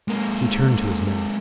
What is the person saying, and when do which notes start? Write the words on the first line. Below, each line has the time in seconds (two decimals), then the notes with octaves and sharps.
He turned to his men.
0.08 G#3 A#3